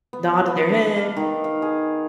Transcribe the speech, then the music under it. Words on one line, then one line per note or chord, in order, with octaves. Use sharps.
Nodded their head.
B3
B3
D4
F5
D#3
F5
G#4